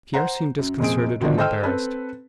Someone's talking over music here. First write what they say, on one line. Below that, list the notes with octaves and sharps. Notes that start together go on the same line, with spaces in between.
Pierre seemed disconcerted and embarrassed.
C5 F#5 A#5
F#2
F1 A#2 C4 G#4 D7
B2 D3 D#3 F3 D4
A4 C5 D#5 G5 E6 F6
C4 A4 B4